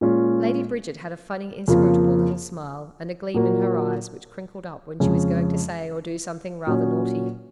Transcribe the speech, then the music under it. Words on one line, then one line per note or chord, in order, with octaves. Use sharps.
Lady Bridget had a funny inscrutable little smile and a gleam in her eyes which crinkled up when she was going to say or do something rather naughty.
A#2 G#3 C#4 F4
F2 C#3 F3 A#3 F4
A#2 F#3 A#3
F2 C#3 G#3 C#4
A#2 F#3 C#4